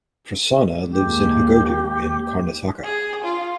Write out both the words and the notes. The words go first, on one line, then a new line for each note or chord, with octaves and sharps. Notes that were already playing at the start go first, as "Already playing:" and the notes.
Prasanna lives in Heggodu in Karnataka.
D#2 G#3 A#3 G4
G#4
F4